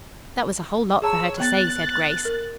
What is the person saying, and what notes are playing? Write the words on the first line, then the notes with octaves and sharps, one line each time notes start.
"That was a whole lot for her to say," said Grace.
G#4 C#5 A5 A#5 E6
B3 F#6 A6
A#4